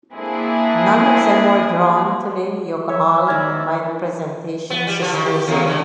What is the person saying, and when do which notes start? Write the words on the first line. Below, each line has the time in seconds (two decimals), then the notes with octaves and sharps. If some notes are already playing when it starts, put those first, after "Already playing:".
None of them were drawn in youghal by the Presentation sisters there.
0.11 A#3 C4 D4 E4 G#4
2.89 C#5 E5
3.27 D#3 C5 D5 E5 F6 G#6
4.70 B3
4.87 G3
5.02 F3
5.13 D#3
5.26 G4
5.47 D#2
5.67 D3